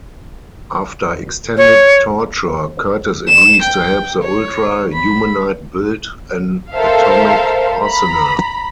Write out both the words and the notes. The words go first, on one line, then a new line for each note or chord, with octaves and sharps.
After extended torture, Curtis agrees to help the Ultra-Humanite build an atomic arsenal.
C#5
E7
G5
C#5
B5
A4 A#4 C5 E5 F5
A#5 B5